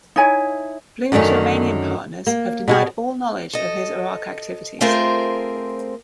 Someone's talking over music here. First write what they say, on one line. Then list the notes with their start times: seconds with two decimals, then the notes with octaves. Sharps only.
Bloom's Romanian partners have denied all knowledge of his Iraq activities.
0.16 D#4 E4 C#5 G#5
1.12 F#2 D3 D#3 A3 C#4
2.27 A#3
2.68 B2 F#4 G#4
3.53 A4 D#5
4.81 A3 C4 F4 G#4 A#4 C5